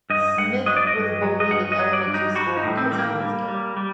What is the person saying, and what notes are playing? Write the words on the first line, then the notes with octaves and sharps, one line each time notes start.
Smith was bullied in elementary school because he was gay.
G2 D#5
G2 F#5
F#3 D#5
D5
D#5
G2
F#3
D#5
G2 F#5
D#5
F#3
D5
G2
D#4
G3 F#4
D#4
A2
C4
G3 C4
A#3
G3
G3
G3